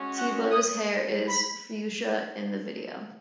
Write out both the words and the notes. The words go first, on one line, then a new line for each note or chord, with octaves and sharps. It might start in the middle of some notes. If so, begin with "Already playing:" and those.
T-Boz's hair is fuchsia in the video.
Already playing: G#3 C#4 F#4
F#5
D#6
B5